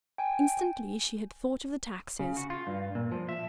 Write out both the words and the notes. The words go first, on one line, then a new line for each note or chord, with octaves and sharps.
Instantly she had thought of the taxes.
G5 G#5
C#3
F#4
F4
G2
A#2
F3
E5